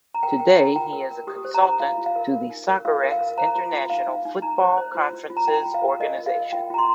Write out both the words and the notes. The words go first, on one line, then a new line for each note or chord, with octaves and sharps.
Today he is a consultant to the Soccerex international football conferences organisation.
A#5
A#4 G5
A#4 G5
A#4 A#5
F4 G5
A#4
A#4
G4 D#6
C5
A#5
D#4
F4 F5
F4
F5
A#4
A#4
D#4
A#4
F4 F5
A#4
F5
A#4
C5 A#5
F4
F4
D#4 F5
D#4
D#4
D#4 A#5
C5
C5
F4
F4
F4
A#5
F4 G5
F4
F5
F4
A#4 D#5
F4
F5
A#4
F4 G5
F4 A#5
C6